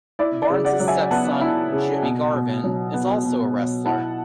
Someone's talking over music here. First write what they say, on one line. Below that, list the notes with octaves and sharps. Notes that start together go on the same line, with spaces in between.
Barnes' stepson, Jimmy Garvin, is also a wrestler.
E4 D5
D5
C#3
D5 F#5
F#3
E5 G#5
B3 F#5 A5
E4
C#3
B2
B2
F#3
B3
B2
B2
E4 F#5 A5